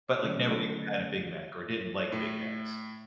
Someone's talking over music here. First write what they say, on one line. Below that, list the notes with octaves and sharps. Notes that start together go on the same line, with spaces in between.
but, like, never even had a Big Mac, or didn't like Big Macs.
D3 F#3 A3 C#4 G#4 D5
A2